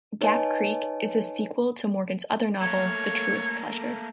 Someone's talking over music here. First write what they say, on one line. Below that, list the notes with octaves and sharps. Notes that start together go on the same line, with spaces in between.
"Gap Creek" is a sequel to Morgan's other novel, "The Truest Pleasure".
D#4 B4 C#5 D#5 G#5 A5
A3 A#3 C#5